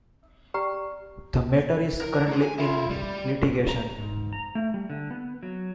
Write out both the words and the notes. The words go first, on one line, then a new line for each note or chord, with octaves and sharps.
The matter is currently in litigation.
G4 D5 G5 A#5 C#6 F6
A#4
D#4 G#4
G#5
E4 F4
G3
A#5
G#2
A#5
A3
G3
D3
B3
F#3